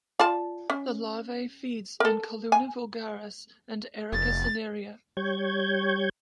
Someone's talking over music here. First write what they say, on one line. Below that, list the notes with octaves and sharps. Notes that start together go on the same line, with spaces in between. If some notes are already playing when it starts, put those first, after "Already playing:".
The larvae feeds on "Calluna vulgaris" and "Erica cinerea".
F4 D5 A5
C#4
A4 A#4
G#5
F1 A6
G3 C#5 G6 G#6